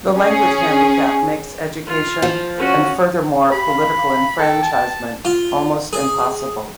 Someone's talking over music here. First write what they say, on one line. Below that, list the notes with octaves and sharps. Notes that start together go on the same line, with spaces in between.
The language handicap makes education and furthermore, political enfranchisement almost impossible.
C#4 G#4
F4
F3
C#4 F#4
G4 B5
F5
A4 G5
A5
F4
G#4